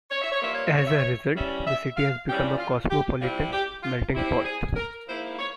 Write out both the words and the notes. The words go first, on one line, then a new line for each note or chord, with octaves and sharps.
As a result, the city has become a cosmopolitan melting pot.
C#5
E5
C#5
G2 F3 A#3 F4 E5
C#5
E5
C#5
E5
C#5
G2 E3 G3 C#4 E5
E5
F5
G2 E3 G3 C#4 G4
F4
G4
C3 G3 C4 E4 F4
G4
F4
C3 G3 C4 E4
G#4
A#4
G#2 F3 A#3 E4 C5
C#5